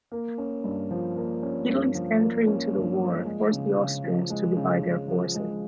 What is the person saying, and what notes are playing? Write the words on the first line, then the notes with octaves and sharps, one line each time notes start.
Italy's entry into the war forced the Austrians to divide their forces.
A#3
C#4
G2
F3
A#3
C#4
G2
F3
A#3
C#4
G2
F3
G#3
C#3
C#3
F3
G#3
C#3
C#3
F3
G#3